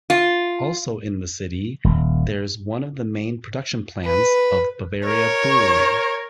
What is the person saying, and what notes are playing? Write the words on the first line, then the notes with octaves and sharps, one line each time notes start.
Also in the city, there's one of the main production plants of Bavaria Brewery.
F4
D#1
B4
A#4 C#5